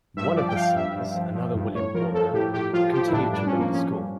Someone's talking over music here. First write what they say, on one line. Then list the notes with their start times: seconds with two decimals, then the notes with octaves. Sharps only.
One of the sons, another William Horner, continued to run the school.
0.17 G2 E5
0.36 F3 D5
0.49 G5
0.56 F3 F5
0.76 G2 E5
0.96 G2
1.15 F3
1.35 F3
1.55 G2
1.74 A2 C#5
1.95 F3 A#4
2.14 F3 A4
2.34 A2 G4
2.53 A2 G4
2.74 F3 F4
2.93 F3 G4
3.07 E4
3.13 A2 D4
3.33 G2 D4
3.47 C#4
3.53 F3
3.60 A#3
3.72 F3 C#4
3.92 G2